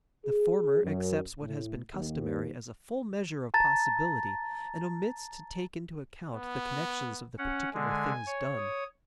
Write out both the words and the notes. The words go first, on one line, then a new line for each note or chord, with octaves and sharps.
The former accepts what has been customary as a full measure of possibility and omits to take into account the connections of the particular things done.
G#4
F#2
A2
D#2
A5 A#5 A6
B3
C#4 F#5
D3 G#3 G#5
C#5
D#6